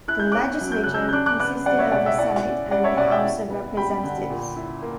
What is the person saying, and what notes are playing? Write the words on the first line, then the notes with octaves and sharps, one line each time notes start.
The legislature consisted of a Senate and House of Representatives.
E4 F#6
G6
C#4 D6 F#6
F#3
G6
C#3 F#6
E6 G6
G6
D4 D6 F#6
D6 F#6
B3 D6 F#6
G3 D5 F#5
C#5 E5
B2 D5 F#5
E5 G5
E4 D5 F#5
C#4
G3 D5 F#5
C#5 E5
B2 D5 F#5
E5 G5
E4
B3
G3 G5 B5
D3
A#2
E4
A#3